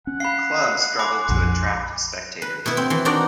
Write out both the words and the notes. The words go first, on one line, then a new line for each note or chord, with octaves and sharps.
The club struggled to attract spectators.
C#4 F#5
F5 B5 C7
G#5 B5 C6 D6
A#1 F2
B4
B2 E4
C4
E3
D4 D#4 F#4 A#4 D5 F#5